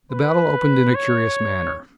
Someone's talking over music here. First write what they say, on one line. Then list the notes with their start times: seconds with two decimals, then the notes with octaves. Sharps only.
The battle opened in a curious manner.
0.12 B4
0.95 C#5